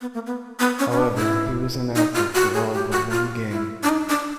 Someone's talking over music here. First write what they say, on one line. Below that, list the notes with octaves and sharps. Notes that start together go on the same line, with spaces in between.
However, he was inactive for all but one game.
B3
A#3
B3
B3
C#4
C#4
D4
E4
D#4
F4
F#4
G#4
G4
F#4
F4
E4
D4
D#4
D4